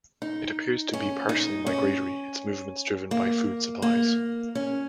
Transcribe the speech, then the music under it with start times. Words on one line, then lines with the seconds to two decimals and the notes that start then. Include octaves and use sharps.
It appears to be partially migratory, its movements driven by food supplies.
0.22 D#4
0.93 C#4
1.29 D#4
1.66 C#4
3.11 A#3
3.82 A#3
4.55 C#4